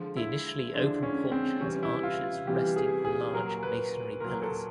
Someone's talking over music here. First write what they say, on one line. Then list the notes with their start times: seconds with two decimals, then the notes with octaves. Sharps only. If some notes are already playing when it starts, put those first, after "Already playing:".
The initially open porch has arches resting on large masonry pillars.
Already playing: D3 F3 G#3
0.17 E4
0.74 D3 F3 G#3 D4
1.03 C#4
1.32 C4
1.60 C3 E3 G3 C#4
1.83 E4
2.03 F4
2.47 C3 E3 G3 G4
2.76 G#4
3.05 G#4
3.33 A#2 F#3 A#4
3.63 B4
4.20 A#2 F#3 A#4
4.42 A4